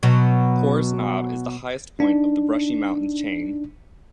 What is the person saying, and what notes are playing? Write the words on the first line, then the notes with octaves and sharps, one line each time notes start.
Pores Knob is the highest point of the Brushy Mountains chain.
B2 F#3
D4 D#4